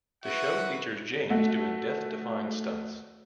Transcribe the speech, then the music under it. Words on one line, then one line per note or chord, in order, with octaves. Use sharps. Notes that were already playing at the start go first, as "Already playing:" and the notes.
The show features James doing death defying stunts.
F#4 B4 E5 F#5
A3 F#4